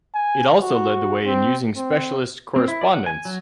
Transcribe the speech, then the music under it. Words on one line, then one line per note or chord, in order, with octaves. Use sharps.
It also led the way in using specialist correspondents.
G#5
F#4
C4
C4
C4
E4
D5
F#5
G#5
F#3